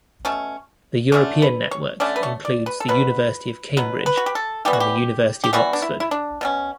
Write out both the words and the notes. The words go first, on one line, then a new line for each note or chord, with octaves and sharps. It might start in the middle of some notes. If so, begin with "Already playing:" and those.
The European network includes the University of Cambridge and the University of Oxford.
B2 A3 C#4
D3 A3 C#4 C#5
B4
C#5
D3 A3 C#4 D5
B4
C#5
D5
B4
A4
B2 F#3 B4
B2 F#3 B4
B4
F#4
G4
A4
E3 G3 B3 G4
F#4
G4
G4
E3 G3 B3 F#4
D4
E4
E4
D4
B2 F#3 C#4